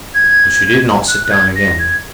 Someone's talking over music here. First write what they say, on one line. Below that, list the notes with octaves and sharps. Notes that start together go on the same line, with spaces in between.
But she did not sit down again.
G#6
F#6
F#6
G#6
A#6
G#6